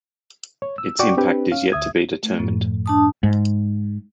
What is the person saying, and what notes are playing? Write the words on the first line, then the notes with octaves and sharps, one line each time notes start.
Its impact is yet to be determined.
C#5
E6
F#4 D5 G5 C#6 D6
C4 D4 G4 B4
C#4 F5
D2 E5 D#6 G#6
A3
F#2 A2 F3
D4 A5 D#6
G#2